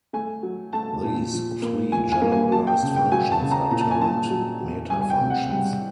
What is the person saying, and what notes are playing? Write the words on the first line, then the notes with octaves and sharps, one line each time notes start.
These three generalised functions are termed "metafunctions".
A3 G#5
F#3
A3 A5
A#2
F3
A#3
F3 G#5
G#5
A#3
G#5
F#3 A5
G5
C#3
G5
F#3 G#5
A5
C#3
A#5
A#2 A#5
A5
G#5
A#2 A5
F#3
F#3
G3 G#5
G#5
G5
C3
F#5
G3 G5